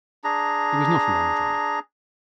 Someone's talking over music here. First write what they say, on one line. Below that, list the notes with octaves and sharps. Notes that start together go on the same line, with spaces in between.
It was not a long drive.
D4 G#4 A#5